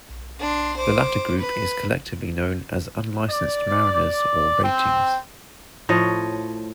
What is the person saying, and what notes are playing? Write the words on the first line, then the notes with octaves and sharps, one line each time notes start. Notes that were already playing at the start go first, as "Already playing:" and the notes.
The latter group is collectively known as unlicensed mariners or ratings.
D4 C6
C5 D6
B4
D5
C4
A2 F3 C#5 D#5